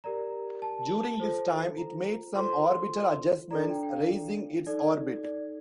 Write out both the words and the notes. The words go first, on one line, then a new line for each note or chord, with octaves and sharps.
During this time it made some orbital adjustments, raising its orbit.
G4 A#4 D5 A#5
A5
F4 A4 C5
A#5
F4 A4 C5 C6
D4 A4 D5 A#5
G5
G5
F5
D#4 A4 D5
D5